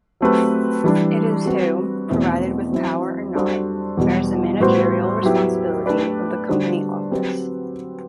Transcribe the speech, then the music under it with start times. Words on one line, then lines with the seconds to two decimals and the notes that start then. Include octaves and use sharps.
It is who, provided with power or not, bears the managerial responsibility of the company office.
0.21 F#3 A3 C4 G4 B4
0.84 E3 G3 D4
1.46 G3 C4 F#4 B4
2.09 E2 B2 A3 C4 E4
2.72 F#3 C4 E4
3.35 G3 D4 F#4 A4 C5
3.97 E2 B2 G3
4.60 A2 G3 B3 F#4 C5
5.23 F#3 B3 E4 G4
5.86 A3 D4 G4 B4 D5
6.49 D3 G3 D4 F#4 C5
7.11 F#3 C4 G4 B4